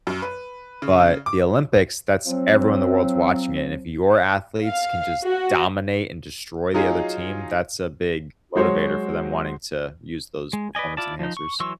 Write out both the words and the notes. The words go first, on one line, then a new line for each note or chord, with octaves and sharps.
But the Olympics, that's everyone in the world's watching it, and if your athletes can just dominate and destroy the other team, that's a big motivator for them wanting to use those performance enhancers.
F#2
B4
C#3
D6
F3 F#3 C4
F5
F#4
F#3 D#4 F4 G#4 D#5
F#3 G#3 F#4 C5 C#5
G#3
B4 D5 D#5 G#5
E4 F4 D5 A5
F3 D#4
C#6
E3 F#3 C6 C#6 E6